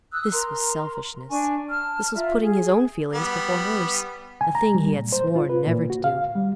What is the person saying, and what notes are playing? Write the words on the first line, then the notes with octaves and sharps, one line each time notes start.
This was selfishness; this was putting his own feelings before hers--a thing he had sworn never to do.
D#6 E6 F#6
A#4 A#5 C6
D4 G#5 C#6
A5 F6
F4 D5 E5 A#5
G#4
G3 B3
G#5
A#5
G3
A#2
C5
F4
B4
A#2
F#4
F5
G3